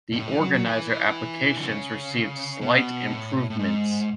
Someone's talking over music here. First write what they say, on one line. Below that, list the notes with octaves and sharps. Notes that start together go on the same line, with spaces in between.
The organizer applications received slight improvements.
B2
A2
E3
F#3
F#3
E3
D3
C#3
B2
A2
A2
G#2